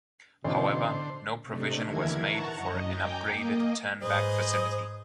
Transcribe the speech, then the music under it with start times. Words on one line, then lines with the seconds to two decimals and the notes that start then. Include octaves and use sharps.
However no provision was made for an upgraded turnback facility.
0.44 A1 B2 D3 C5
1.45 C3 A3 D4 D#4
1.83 D#2 D3 E3 E4 A#4 G#6
2.19 F#5 A5 A#5 C#6
2.55 F#2 D#5
2.92 G5 G#5 A#5 D6 G6
3.31 A#3 D#5
4.02 G#2 G#4 B4 C5 D#5 D#6